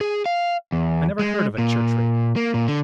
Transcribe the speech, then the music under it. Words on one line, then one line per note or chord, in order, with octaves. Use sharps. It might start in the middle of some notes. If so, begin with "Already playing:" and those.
"I never heard of a church-rate."
G#4
F5
E2
G#3
A#2
A#3
A#2
D3